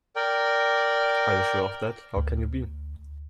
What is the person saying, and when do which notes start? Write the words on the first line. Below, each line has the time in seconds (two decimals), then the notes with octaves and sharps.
Are you sure of that? How can you be?
0.16 A#4 D5 G5
2.17 D2